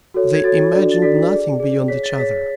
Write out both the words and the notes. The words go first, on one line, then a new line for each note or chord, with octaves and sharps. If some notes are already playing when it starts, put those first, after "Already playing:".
They imagined nothing beyond each other.
F#4 A4 C#5
G#6
F#4 A4 C#5 A6
D4 F#4 A4 D5
A6
D4 F#4 A4 D5 B6
G#4 D5
G#4 D5
G#4 C#5 B6
A6
G#4 C#5 B6